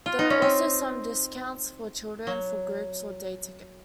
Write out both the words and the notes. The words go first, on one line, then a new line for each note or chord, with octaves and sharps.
There are also some discounts for children for groups or day tickets.
F4
D#4
C#4
C4
F#3